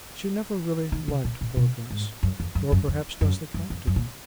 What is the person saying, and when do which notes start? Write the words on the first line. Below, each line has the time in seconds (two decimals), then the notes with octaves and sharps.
She never really liked poor Guss,--nor perhaps does the Captain.
0.92 D#3
1.08 C#3
1.25 A#2
1.41 A#2
1.57 B2
1.91 G#2
2.23 F#2
2.40 F2
2.55 F#2
2.72 F#2
2.88 F2
3.21 F#2
3.54 F#2
3.70 F2
3.87 F#2
3.96 A#2